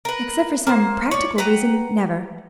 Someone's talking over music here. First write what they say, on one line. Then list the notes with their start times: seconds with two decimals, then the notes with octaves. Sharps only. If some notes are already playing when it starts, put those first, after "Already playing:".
"Except for some practical reason--never."
0.05 A#4 B4
0.67 A#3 C5
1.11 C#5 D5
1.38 B4 F#5 G5 A#5